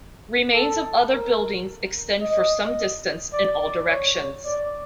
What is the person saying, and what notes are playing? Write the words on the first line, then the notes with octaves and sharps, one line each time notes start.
Remains of other buildings extend for some distance in all directions.
A4
A#4
D#5
D5
C#5
D5